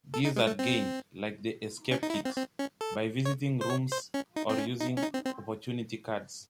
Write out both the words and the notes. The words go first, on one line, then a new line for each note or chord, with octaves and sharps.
These are gained, like the escape kit, by visiting rooms or using Opportunity Cards.
A4
D#4
G#3
A3
C4
C#4
D#4
E4
D#4
C4
C4
C#4
A4
C#5
C5
C#5
C5
C#4
D#4
C4
C#4
D#4
C#4
D#4
C4
C4